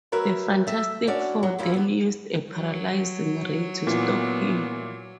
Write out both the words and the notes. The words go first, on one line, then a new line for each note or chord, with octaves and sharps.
The Fantastic Four then used a paralyzing ray to stop him.
F#3 A3 A#4 B4 C#5 E5
A3 E5
C#4 D4 E4 F#4 D5
F#3
F#2 A#3 E4 F4 G4
E2 B3
F#3
A#2 E3 B3